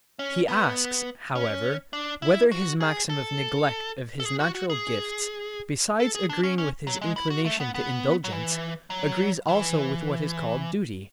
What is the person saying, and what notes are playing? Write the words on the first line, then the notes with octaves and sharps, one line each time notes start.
He asks, however, whether his maxim of neglect of his natural gifts, besides agreeing with his inclination to indulgence, agrees also with what is called duty.
C#4
B3
C#4
D4
E4
F#4
G#4
A4
A4
G#4
F#4
F#4
G#4
A4
G#4
D4
C#4
C#4
F#3
G#3
E4
F#4
A3
B3
B3
F#3
E3
F#3
E3